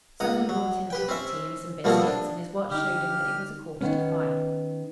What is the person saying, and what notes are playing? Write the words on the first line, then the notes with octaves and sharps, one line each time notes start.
Some one brought in a cup of tea and some biscuits, and his watch showed him that it was a quarter to five.
C#2 F#5 A#5 D#6
F#3
G4 B4 G5
C4 C#4 E5
B2 F3 G3 A3 A#3 C4
D4
D3 D#4 G4 F6
D#3 B3 C#4